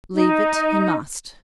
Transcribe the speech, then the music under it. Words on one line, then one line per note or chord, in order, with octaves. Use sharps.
Leave it he must.
D#4